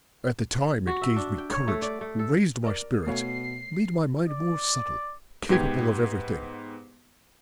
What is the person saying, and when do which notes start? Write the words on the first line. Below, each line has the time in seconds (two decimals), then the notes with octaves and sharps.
At the time it gave me courage, raised my spirits, made my mind more subtle, capable of everything.
0.87 F#4
1.01 E5
1.16 D4
1.38 G5
1.52 C#5
1.68 A3
1.82 D5
2.01 A3
2.19 A4
2.64 A#4 D5
3.07 B2 A3 C#5 F5 C7
4.28 D5
5.49 G#2 B3 G4 G#6